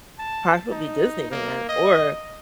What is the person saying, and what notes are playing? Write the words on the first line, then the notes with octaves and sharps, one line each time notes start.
possibly Disneyland or
A5
D#4
A#3
D#5